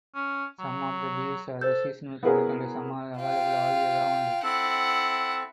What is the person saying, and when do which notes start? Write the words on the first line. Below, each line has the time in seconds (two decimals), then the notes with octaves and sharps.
Some of the beers are seasonal products and some are available all year round.
0.15 C#4
0.59 F#3
1.61 A4 C5 G6
2.23 B3 E4 F#4 G#4 A#4 C#5
3.17 F4 G5
4.43 C4 E4 A4 F#5